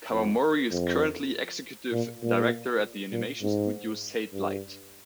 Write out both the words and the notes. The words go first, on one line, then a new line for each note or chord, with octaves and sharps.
Kawamori is currently executive director at the animation studio Satelight.
F2
F2
A#2
A#2
A#2
G#2
G2